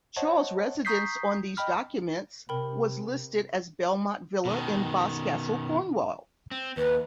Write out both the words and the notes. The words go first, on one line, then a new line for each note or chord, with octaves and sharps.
Charles' residence on these documents was listed as Belmont Villa in Boscastle, Cornwall.
C5 C#5 D#5 F#5 A5
A#5 C#6 D#6 G6 B6 C7
D#5 G5 B5 F6
C3 A#4 G5 B5
B2 D#3
C4
D#2 B4